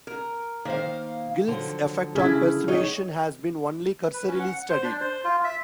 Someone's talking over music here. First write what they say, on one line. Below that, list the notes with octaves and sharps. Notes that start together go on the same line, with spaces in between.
Guilt's effect on persuasion has been only cursorily studied.
A#4
D#3 A#3 C5 F5
D3 F3 F#3
C#3 E4 G#4
D2 F#3 D#4 C#5
B4
C#4
F#5
F#5
C5
D4
C5
F4
E5